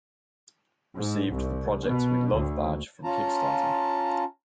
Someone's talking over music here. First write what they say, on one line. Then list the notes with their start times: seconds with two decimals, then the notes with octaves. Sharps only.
Received the "Projects We Love" Badge from Kickstarter.
0.98 G#2
1.30 C2
1.86 B2
2.34 D2
3.04 C#4 F4 A5 A#5